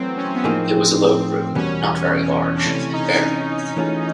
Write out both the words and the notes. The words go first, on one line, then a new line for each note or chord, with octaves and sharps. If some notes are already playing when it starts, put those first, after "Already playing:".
It was a low room, not very large, and bare.
Already playing: E3 F#3 A3 C4
C#4
B3
A2 F3 A#3 C4 D#4 G#4
E2 B2 G3 A#3 C#4
D4
C3 E3 A3 C#4
D#4
E3 A3 C#4 F4 G#4